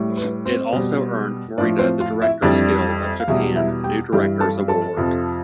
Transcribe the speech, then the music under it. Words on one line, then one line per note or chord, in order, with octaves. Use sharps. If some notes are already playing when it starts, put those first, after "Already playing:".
It also earned Morita the Directors Guild of Japan New Directors Award.
Already playing: A2 G3
B4
C4 C5
B2 G3
A2 F3 D4 D5
C4 C5
F4 F5
E4 E5
F2 E3 G3 D4 D5
F5
E2 B2 G3 E4 E5
E4 E5
G4 G5
G2 E3 G3 G4 G5
A4 A5
A4 A5
F2 C3 F3